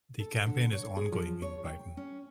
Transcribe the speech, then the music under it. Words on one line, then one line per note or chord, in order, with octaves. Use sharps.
The campaign is ongoing in Brighton.
A4
D3
C#5
G#4
F3
C#5
G5
C#4